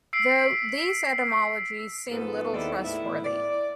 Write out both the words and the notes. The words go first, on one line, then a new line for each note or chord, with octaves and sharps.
Though, these etymologies seem little trustworthy.
E6 B6 C7 D7
G#2 F3 B3 A4 B4
D#2 G#3 E4 A4 D5
A2 B3 E4
D5